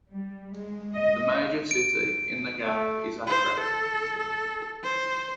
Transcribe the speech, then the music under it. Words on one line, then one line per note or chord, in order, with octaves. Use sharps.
The major city in the Gap is Accra.
G3
G#3
D#5
D7
A3
C5
A4
A4
C5